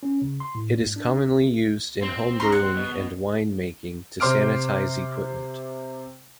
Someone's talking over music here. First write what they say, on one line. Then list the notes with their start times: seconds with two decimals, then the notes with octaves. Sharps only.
It is commonly used in homebrewing and winemaking to sanitize equipment.
0.03 C#4
0.22 C#3
0.40 C6
0.55 A2
0.77 G#2
0.96 D4
2.02 C4
2.40 C#4 A#5 C6
2.52 F#5
2.76 B2
4.20 C3 C5 C6 D6 F6 D7